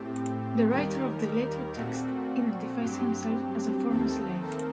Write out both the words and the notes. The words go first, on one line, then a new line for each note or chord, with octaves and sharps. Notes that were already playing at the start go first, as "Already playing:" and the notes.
The writer of the later text identifies himself as a former slave.
Already playing: A2 A3 C4 G4
D#2 D#3 G3 A#4
A#2 A3 C4 F#4
G2 F#3 C4 G4
D#2 D#3 A3 C4 A4
A#4